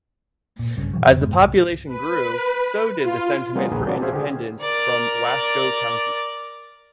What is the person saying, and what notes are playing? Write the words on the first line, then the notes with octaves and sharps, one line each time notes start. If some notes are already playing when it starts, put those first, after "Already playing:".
As the population grew, so did the sentiment for independence from Wasco County.
A#2
B1 G2 C#3
B2 D#3 E3 F#3
F1 C#3
F2 G#2 G#3 B3
C2
B4
F4
G3 A#3 B3 C#4 F4 G#4
A#1 D#2 A#3 G#4 B4
A#3 B3 C#4 D4 F#4 D5
G#4 C5 E5 F5 G#5
D3 G4 G#4
A#4 D5